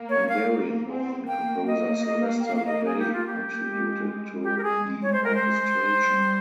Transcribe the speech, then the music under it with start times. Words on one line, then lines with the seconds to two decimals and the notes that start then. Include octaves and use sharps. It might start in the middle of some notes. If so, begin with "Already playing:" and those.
Hungarian-born composer Sylvester Levay contributed to the orchestration.
Already playing: A#3
0.09 C#5
0.29 F5
0.49 A#3
0.89 C4
1.27 A#3 G5
1.67 D#5
2.06 D#5
2.26 F5
2.40 G5
2.46 F5
2.56 F5
2.66 D#5
2.85 G#4
2.99 G4
3.13 F4
3.27 G4
3.65 G#3
4.43 G#3 G4
4.58 A#4
4.63 G#4
5.02 C#5
5.13 C5
5.24 A#4
5.35 C5
6.01 G3